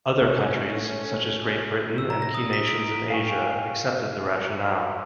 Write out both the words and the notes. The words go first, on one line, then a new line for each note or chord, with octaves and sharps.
Other countries, such as Great Britain and key nations in Asia, accepted the rationale.
A3 C#4
E6
A#5
A#6
D#6
B6
D7
F5 G5 G#5 C#6